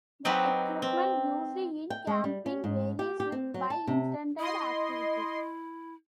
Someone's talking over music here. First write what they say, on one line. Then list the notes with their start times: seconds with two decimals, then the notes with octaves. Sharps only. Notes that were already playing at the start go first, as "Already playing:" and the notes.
The equipment used in camping varies with by intended activity.
0.25 F#3 C4 D#4 G4 B4
0.82 C4
1.90 G5
2.07 G#3
2.24 G3
2.46 C#4
2.64 G#2
2.99 G4
3.20 G4
3.32 C4
3.54 F#3
3.70 A5
3.87 C3
4.39 E4 D#5 C6